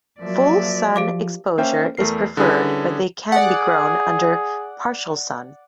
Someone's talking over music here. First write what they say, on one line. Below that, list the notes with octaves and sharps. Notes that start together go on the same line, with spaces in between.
Full sun exposure is preferred but they can be grown under partial sun.
F3 F#3 A#3 D5 E5
F3 G4 F5 D6
A#3 C#4 C5 E5 G5
E2 A3 A#4 C7
D3 G3 C#4 E4 G#4 B4
G#4 D5 F#5